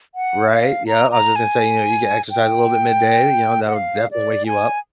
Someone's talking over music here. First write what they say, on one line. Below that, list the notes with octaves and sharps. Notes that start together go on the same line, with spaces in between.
Right, yeah, I was just gonna say, you know, you get exercise a little bit midday, you know, that'll definitely wake you up.
F#5
F5
A#5
A#5
G#5
G5
F#5
F5
D5
G#5